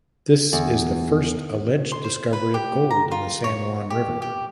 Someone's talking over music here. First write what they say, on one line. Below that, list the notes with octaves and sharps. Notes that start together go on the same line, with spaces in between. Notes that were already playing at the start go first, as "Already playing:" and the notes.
This is the first alleged discovery of gold in the San Juan River.
E2
C6
C5
B4
G4
A#5
F4
C#5
G4
G4